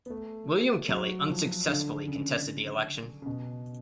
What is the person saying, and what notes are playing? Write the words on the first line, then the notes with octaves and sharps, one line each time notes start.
William Kelly unsuccessfully contested the election.
B3
A3
F#3
F3
D3
C#3
C#3
B2